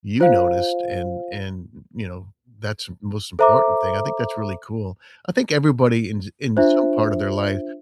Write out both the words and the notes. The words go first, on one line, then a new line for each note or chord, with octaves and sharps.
you noticed, and and, you know, that's the most important thing, I think that's really cool. I think everybody in in some part of their life,
F4 C5 F5
A4 C5 E5 A#5 D6
D4 F4 C5 E5